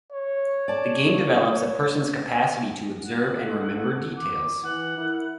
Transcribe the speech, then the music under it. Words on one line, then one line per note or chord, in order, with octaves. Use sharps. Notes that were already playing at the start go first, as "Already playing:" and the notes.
The game develops a person's capacity to observe and remember details.
C#5
D5 A5
F#5
A4
D6
E3 F#5
E4 A#4